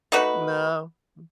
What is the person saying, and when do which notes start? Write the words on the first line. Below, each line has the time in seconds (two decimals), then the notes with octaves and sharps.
No m
0.12 A3 D#4 F#4 B4